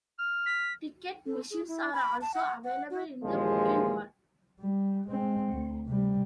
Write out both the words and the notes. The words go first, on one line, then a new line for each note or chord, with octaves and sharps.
Ticket machines are also available in the booking hall.
F6
B6
A4
G#4
E4
B5
A5
F#5
F#5
F#4
A#1 D#2 E3 F3 G#3
G3
G#3 C4
D2
C3 G3